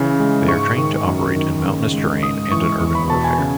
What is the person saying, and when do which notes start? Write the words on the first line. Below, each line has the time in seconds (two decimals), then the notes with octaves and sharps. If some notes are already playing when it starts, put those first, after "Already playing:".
They are trained to operate in mountainous terrain and in urban warfare.
Already playing: C#3 E3
0.20 G#3
0.48 G#2 C#6
0.77 D#3
1.07 F#2
1.36 D#3
1.65 C#3
1.93 G#3
2.23 G#2 D#6
2.52 E3 C#6
2.81 E2 C#6
2.95 B5
3.10 B2 A5
3.24 G#5
3.39 C#3